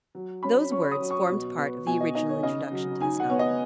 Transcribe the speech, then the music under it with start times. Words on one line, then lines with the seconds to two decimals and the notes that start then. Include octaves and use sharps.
Those words formed part of the original introduction to this novel.
0.15 F#3
0.43 C#4 B5
0.71 C#4 C#6
0.91 D#6
1.00 F#3
1.11 C#6
1.29 B2
1.57 B3
1.87 B2 G#5
2.01 D#5
2.15 D#4 D#5
2.29 C#5
2.43 C#3 D#5
2.72 F#3
3.00 D#4 G#5
3.20 F#5
3.30 B3 C#5
3.39 D#5